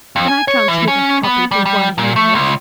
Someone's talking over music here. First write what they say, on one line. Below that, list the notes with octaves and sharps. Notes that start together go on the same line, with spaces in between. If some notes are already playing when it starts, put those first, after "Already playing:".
Can I transmit a copy to Juan Jimenez?
F2
G#5
C#5
E3
C#4
B3
G3
G3
A#2
A3
C#2